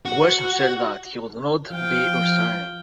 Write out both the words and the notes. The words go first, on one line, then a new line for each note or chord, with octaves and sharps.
Western said that he would not be resigning.
F#4
F3 F5 G5